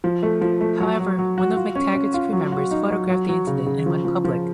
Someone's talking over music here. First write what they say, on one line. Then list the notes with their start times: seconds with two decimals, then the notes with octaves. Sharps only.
However, one of McTaggart's crew members photographed the incident and went public.
0.04 F3
0.23 A3
0.41 F3
0.61 A3
0.80 F#3
1.00 F#3
1.19 F#3
1.38 F#4
1.57 F4
1.76 C#4
1.95 C#4
2.14 F4
2.33 F#3
2.52 F#4
2.71 D#4
2.90 F#3
3.09 F#3
3.29 F#3
3.47 C#3
3.66 C#3
3.86 F3
4.05 F3
4.25 F3